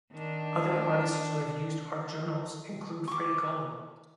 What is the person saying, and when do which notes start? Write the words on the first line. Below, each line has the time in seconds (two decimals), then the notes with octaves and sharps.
Other artists to have used art journals include Frida Kahlo.
0.13 D#3 D4
3.08 C#6 D6